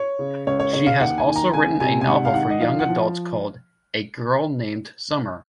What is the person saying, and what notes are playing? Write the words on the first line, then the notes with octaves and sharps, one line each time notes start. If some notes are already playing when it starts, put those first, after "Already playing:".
She has also written a novel for young adults called "A Girl Named Summer".
Already playing: C#5
C#3
C#2 C#5
C#5
C#3 C#5
F5
D#2 F#5
G#5
D#3
A#5
C#2 G#5
C3 G#5
G#5
G#2 F#5
F5
D#3 F#5
D#5
F3 F5
F#5
F3